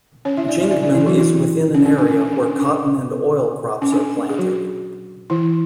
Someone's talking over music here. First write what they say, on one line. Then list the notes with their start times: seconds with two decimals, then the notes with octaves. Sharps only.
Jingmen is within an area where cotton and oil crops are planted.
0.25 C#4 C#5
0.37 E4 E5
0.48 D4 D5
0.60 E4 E5
0.71 D4 D5
0.83 D4 D5
0.95 E3 E4
1.06 F#3 F#4
1.17 E3 E4
1.74 C#4
1.86 C#4
1.98 D4
2.10 C#4
2.21 D4
2.32 D4
2.43 D4
2.56 C#4
3.82 C#4
3.92 D4
4.29 G#4
4.38 F#3 F#4
5.30 E3 E4